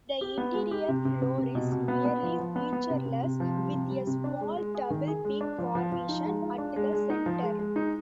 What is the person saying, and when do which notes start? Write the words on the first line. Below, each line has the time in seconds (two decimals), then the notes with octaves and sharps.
The interior floor is nearly featureless, with a small double-peak formation at the center.
0.21 G4
0.38 B3
0.54 G#3
0.71 G4
0.89 C3
1.05 C3
1.22 C3
1.38 C3
1.55 B2
1.72 B2
1.88 B3
2.06 B3
2.23 F3
2.39 F3
2.56 B3
2.73 B3
2.90 C3
3.06 C3
3.23 C3
3.40 F3
3.57 G3
3.73 C3
3.90 G3
4.07 C3
4.24 D4
4.41 G#3
4.57 G#3
4.75 G#4
4.90 D#3
5.08 G#4
5.25 G#3
5.41 D4
5.58 F3
5.75 F3
5.92 F3
6.09 D#4
6.25 G#3
6.42 F4
6.58 D4
6.76 G#3
6.93 G#3
7.10 D#4
7.26 F3
7.43 G#3
7.59 G#3
7.76 D#4